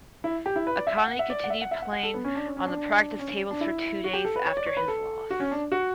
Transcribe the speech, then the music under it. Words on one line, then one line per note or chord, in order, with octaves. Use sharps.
Akani continued playing on the practice tables for two days after his loss.
E4
G4
E4
B4
D5
E5
F#5
F#5
E5
D5
F#5
E5
F#5
E5
F#5
F#5
A4
B3
C#4
D4
C#4
C#4
D4
D4
C#4
C#4
D4
E4
F#4
G4
A4
B4
C#5
D5
C#5
B4
A4
F#4
C#4
D4
F#4